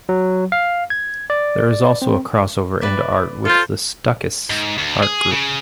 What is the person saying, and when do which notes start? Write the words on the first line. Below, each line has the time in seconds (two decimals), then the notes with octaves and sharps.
There is also a crossover into art with the Stuckists art group.
0.09 F#3
0.52 F5
0.90 G#6
1.30 D5
2.02 C4
2.81 B4 D5 E5
3.45 F4 A4 C5
4.50 G#2
4.78 D2
5.03 G#4
5.32 C#3